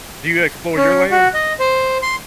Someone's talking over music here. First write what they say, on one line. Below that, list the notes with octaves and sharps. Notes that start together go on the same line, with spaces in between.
Do you explore your land?
C#4
F#4
D#5
C5
C6